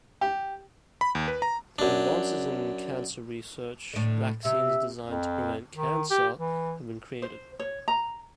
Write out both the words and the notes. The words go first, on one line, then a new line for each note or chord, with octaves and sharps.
Through advances in cancer research, vaccines designed to prevent cancer have been created.
G4
B5
D#2
B4
A#5
F#2 D4
A2 D3
C3 E5
F2
D#3
G4
E3
C5
C#5
A#5